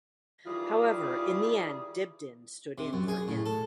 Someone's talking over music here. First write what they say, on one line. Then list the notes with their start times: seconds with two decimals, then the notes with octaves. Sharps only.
However, in the end, Dibdin stood in for him.
0.46 D#3 E3 G3 F4 G#4
2.78 C3
2.93 F#2
3.08 G#4
3.28 A2
3.46 A4